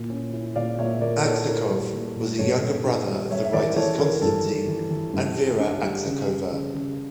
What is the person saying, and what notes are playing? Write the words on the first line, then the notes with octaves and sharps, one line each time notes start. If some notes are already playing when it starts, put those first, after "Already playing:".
Aksakov was a younger brother of the writers Konstatin and Vera Aksakova.
Already playing: A#2 E4
C#4
E4
A#2 D5 F5
A#2 C#5 E5
A#2 A#4 D5
E4 A4 C#5
E4 A#4
G3
A#2
A#2
G2 A4 C#5
G3
D4
G3
G3 C#5 E5
E5
E3 A#4 D5
E3 A4 C#5
E3 A#4
G2 A4
G3
E3
E3
G2
G3
D4
G3
C#3
G3
C#3
C#3